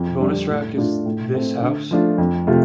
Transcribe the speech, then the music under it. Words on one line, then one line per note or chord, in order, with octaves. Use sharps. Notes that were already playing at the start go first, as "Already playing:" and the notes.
The bonus track Is This House?
Already playing: F2
D3 G3 D4
A2
A3 D4 F4
A2
A3 C4
D3
F3 A3 D4 F4
F2
C3 A3 F4